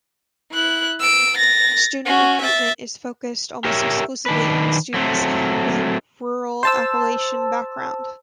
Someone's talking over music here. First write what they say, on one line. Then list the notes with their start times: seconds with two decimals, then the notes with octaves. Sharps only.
Student recruitment is focused almost exclusively on students with a rural Appalachian background.
0.53 E4 F#6
1.00 E6 D7
1.37 A6 A#6
2.06 C#4 F#4
2.42 E5 A6
3.65 G4 A#4 C#5 E5
4.26 D#3 D4 B4
4.94 F#3 A3 C4
6.63 C5 A5 E6